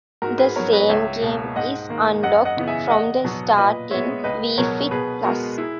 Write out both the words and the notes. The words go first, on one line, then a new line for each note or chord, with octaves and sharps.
The same game is unlocked from the start in "Wii Fit Plus".
G#2 F#4 A#4
G#4 B4
F#3 B3 A#4 C#5
B4 D#5
C#2 C#5 E5
B2 A#3
G#2 D#5 F#5
D#3 A#3
F#2 D#5 F#5
D#5 F#5
C#3 E3 B3
E5 G#5
E2 D#5 F#5
B2 F#3 B3
A#2 B4 D#5
G#3 B3 C#5 E5
C#2 B4 D#5
B2 F#3 B3 A#4 C#5
B2 G#4 B4
G#3 B3 F#4 A#4
E4 G#4